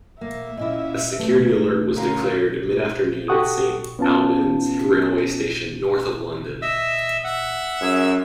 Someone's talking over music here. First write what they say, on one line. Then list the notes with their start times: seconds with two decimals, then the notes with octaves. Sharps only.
A security alert was declared, mid-afternoon, at Saint Albans railway station, north of London.
0.21 A#3 E5
0.57 A#2 C#4 E4 D#5
1.18 D#2 A3 B4
1.96 D3 C#4 F4 A#4 F5 A#5
3.28 F#4 G4 A4 F#5 C#6 D#6
3.99 B3 C#4 F4 A5
6.62 D#5 E5 E6
7.24 E5 F#5
7.82 F#2 G#4 E6